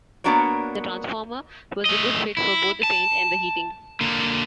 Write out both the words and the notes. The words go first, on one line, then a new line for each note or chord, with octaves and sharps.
The transformer was a good fit for both the paint and the heating.
A#3 B3 D4 F#4 A#4 C#5
A3 D#5
E4
A5
D3 A#3